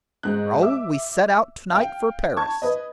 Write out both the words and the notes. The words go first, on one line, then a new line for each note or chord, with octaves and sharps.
"Raoul, we set out to-night for Paris."
G#2 F#6
E5 D6 E6
F5 G5
A5 C#6 G#6
B4 D#5